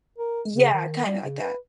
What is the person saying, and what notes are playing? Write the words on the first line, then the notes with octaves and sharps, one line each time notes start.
Yeah. Kinda like that.
A#4
C#3
D#3
G3
C#3
B4